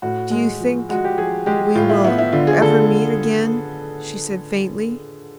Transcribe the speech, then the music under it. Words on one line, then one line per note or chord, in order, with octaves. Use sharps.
"Do you think--we will--ever meet again?" she said faintly.
A2 F#4
G#3
F3
G#3 F#4
G4
F3 G#4
G#3 G4
A2 F4
E4
B3 E4
E4
D3 F4
G#4
D3 A4